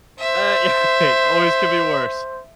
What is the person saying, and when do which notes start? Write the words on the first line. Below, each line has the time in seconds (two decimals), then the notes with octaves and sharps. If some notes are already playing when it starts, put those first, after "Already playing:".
Uh, yeah. Hey, it always could be worse.
0.20 C5 E5